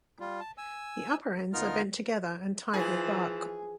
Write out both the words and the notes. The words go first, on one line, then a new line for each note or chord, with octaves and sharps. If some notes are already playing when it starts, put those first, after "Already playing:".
The upper ends are bent together and tied with bark.
G3 F4
A5
G#5 E6
D2 B3 D#4 F4 A#4 F6
E3 F3 G#4